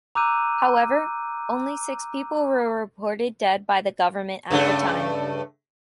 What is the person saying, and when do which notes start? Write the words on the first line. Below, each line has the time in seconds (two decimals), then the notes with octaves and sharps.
However, only six people were reported dead by the government at the time.
0.15 A#5 D6 E6 F#6 G6 D#7
4.51 G2 C#3 A3